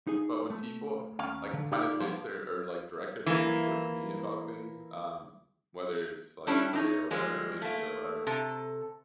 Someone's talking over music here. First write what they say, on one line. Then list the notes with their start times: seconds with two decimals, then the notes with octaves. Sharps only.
but when people, like, kind of face their or, like, direct their feelings towards me about things, um, whether it's, like, career, whatever, relationship, whatever.
0.07 D#4 G#4
0.50 A3
1.19 D#2 C#4 F5
1.53 D3
1.72 D#4 G4 D5 F5
2.00 F3 B3 C5 F5
3.26 E3 A#3
6.47 G3 A3 C#4 D4 E4
6.73 D4 D#4 C#5
7.11 F3 G3 G#3
7.62 A3 A#3
8.27 C3 A4